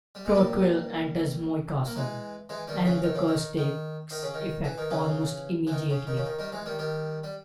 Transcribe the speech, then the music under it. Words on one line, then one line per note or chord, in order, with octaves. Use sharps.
Torquil enters Moy Castle, and the curse takes effect almost immediately.
G3
G#3
G3 A#3
A#3
E3 G#3
E3 G#3
D#3 G3
C#3 E3
D#3
C#3
D#3
D#3
D#3
C#3
D#3
E3
D#3
C#3 E3
E3
D#3
C#3
D#3
C#3
D#3
D#3 G3
E3 G#3
D#3 G3
D#3 G3
G3